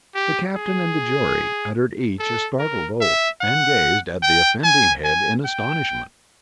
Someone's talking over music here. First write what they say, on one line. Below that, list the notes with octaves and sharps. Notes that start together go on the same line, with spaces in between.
The captain and the jury uttered each a startled oath, and gazed at the offending head in astonishment.
G4
G#4
A4
A#4
E5
F#5
G5
G#5
G#5
G5